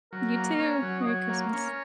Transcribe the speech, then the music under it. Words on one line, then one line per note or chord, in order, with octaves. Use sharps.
You too, Merry Christmas.
F#3 A#4
A#3
C#4
F#3
D#5
F#3 C#5
A#3
C#4 A#4